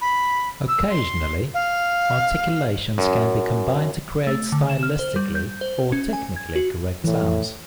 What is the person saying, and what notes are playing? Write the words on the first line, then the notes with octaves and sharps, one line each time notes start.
Occasionally, articulations can be combined to create stylistically or technically correct sounds.
B5
E6
C6
F5
F#2
A3
D3
E7
F6
C5
G3
G6
C5
C#4
G#5
G#6
F#4
A2 E3